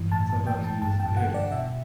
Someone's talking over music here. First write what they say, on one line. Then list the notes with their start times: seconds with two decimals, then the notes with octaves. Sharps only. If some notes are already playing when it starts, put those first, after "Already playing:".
sometimes you just Yeah.
Already playing: G2 E3
0.12 A2 A5
0.30 A5
0.35 A2
0.47 G5
0.59 E3
0.64 A5
0.82 G2 A5
0.99 G5
1.06 G2
1.17 F#5
1.28 D3
1.34 D5
1.51 B2 E5